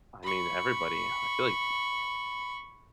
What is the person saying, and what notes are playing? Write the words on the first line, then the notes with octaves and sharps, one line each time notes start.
I mean, everybody. I feel like
B5 C#6